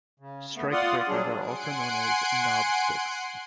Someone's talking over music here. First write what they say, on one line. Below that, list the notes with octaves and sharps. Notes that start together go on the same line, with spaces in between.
Strikebreakers are also known as "knobsticks".
C#3
A3 B3
F4 D5 F5 F#5 C6 D#6
F#3 G3 D4 G#4
F#5 G#5 C6 C7 D7